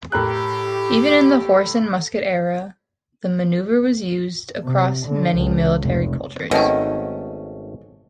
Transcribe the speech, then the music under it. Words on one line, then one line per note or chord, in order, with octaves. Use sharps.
Even in the horse-and-musket era, the manoeuvre was used across many military cultures.
A2 G4 A#4 F#6
C3
D3
C#2
F1
G#1 B2 D#3 A3 C#4